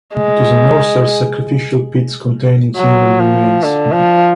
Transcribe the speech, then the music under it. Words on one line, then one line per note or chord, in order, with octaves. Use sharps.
To the north are sacrificial pits containing human remains.
G#3
F#3
F3
D3
F3